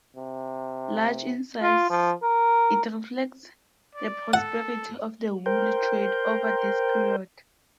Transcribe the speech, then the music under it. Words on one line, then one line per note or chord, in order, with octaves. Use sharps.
Large in size, it reflects the prosperity of the wool trade over this period!
C3
F4
F3
A#4
D5
A4 F#5
A#4 C5 G5